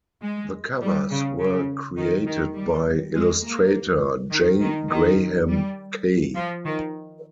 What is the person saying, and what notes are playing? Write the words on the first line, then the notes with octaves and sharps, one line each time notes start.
The covers were created by illustrator J. Graham Kaye.
G#3
G3
C#3
C#3
D#3
D#3
G3
G#3
A#3
D#3
D#3
D#3
G3
F3
D#3